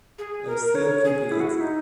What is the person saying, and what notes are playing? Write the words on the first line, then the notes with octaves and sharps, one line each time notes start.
I am still keeping it.
G#4
A#4
C#5
G#4
E4
F#4
E4
D#4